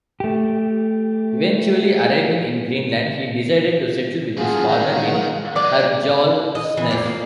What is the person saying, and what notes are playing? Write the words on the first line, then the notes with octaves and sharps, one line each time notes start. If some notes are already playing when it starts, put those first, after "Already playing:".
Eventually arriving in Greenland, he decided to settle with his father in Herjolfsnes.
A3 G4
F#2 F3 G#4 F5 F#5
D#3 G#3
F#3 G#3 D5
D#5
E3
F2 D5
A#3